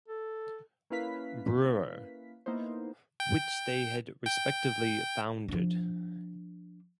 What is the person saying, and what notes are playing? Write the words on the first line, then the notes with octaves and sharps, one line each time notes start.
Brewer which they had respectively founded.
A4
A#3 C#4 E4 B4 F5 B6
A#3 B3 D#4 E4 C5
G5
G5
F3 D4